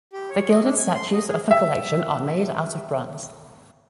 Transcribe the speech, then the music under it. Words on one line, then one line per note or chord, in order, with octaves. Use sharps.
The gilded statues of the collection are made out of bronze.
G4
C#5
D#5
D4
G#5
C6
D#5
G#4
E5 G5